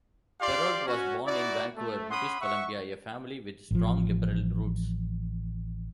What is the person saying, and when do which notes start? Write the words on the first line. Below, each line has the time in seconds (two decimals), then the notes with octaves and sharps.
Perrault was born in Vancouver, British Columbia a family with strong Liberal roots.
0.41 F4 G4 D5 F5 C6
0.86 C#4 F#4
1.26 D#4 E4 F#4 D5
1.77 A3
2.10 C#4 F#5 B5 C6 D#6
2.41 E5 F#5 C#6
3.71 A1 F3